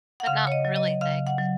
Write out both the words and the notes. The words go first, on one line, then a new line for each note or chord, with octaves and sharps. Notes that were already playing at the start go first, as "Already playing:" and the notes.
but not really thick.
F#5
C#3 F5
C#5
D#5
F#3
D#5
C#3 F5
F#5
F#3